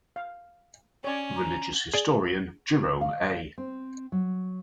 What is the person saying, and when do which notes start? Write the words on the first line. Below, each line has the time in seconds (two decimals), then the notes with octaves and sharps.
Religious historian Jerome A.
0.16 F5
1.04 C#4 C#5 D5
1.36 A#5
1.94 G#4 D5
3.01 F5
3.58 C4
4.12 F#3